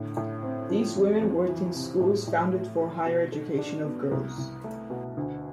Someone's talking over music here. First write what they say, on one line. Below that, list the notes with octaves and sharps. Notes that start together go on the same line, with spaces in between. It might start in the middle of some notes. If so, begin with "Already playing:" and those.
These women worked in schools founded for higher education of girls.
Already playing: A2 D3
A2
C4
F3
F2
F2
E3
C3
A2
A2
A3
E3
B2
A4
D4
B3
C2
C2
A3
B2
D2